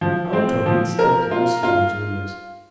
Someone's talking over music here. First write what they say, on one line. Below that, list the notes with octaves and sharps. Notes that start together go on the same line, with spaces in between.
Out of it stepped Lucy and Julius.
F3
C4
F3
A#4
F4
F4